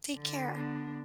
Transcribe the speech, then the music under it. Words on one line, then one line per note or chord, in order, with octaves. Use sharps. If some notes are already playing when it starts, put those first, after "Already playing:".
Take care.
D3
B3 D4